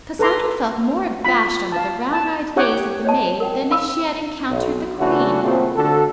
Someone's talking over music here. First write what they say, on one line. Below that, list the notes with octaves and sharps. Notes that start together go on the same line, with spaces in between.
Cassandra felt more abashed under the round-eyed gaze of the maid than if she had encountered the queen.
A4 B4 A#5 C6 D6
F4 B5
F5 A5
A5
E4 G4 C#5 F#5 G5 D#6
C#5 D#5 A5
A#4 F#5 G5
F5 B5 E6
B1
C#3 E3 A3 D4 F#4
A#2 C#3 A3 C4
D3 F#4 A4